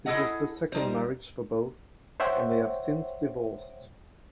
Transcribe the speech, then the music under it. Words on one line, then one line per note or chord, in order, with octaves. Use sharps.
It was the second marriage for both, and they have since divorced.
E4 G#4 A4 D#5 F#5
G3 D#4 C5
C5 C#5 E5 F#5 G5